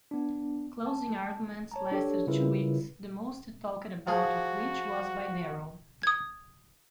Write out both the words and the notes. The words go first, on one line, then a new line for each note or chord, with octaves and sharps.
Closing arguments lasted two weeks, the most talked about of which was by Darrow.
B3 D4
A5
C#5 A5 A#5
D4 G4 A4 C#5
C#3 G3 E4 F4 A#4 B4
F3 F#4 G#4
D#6 G#6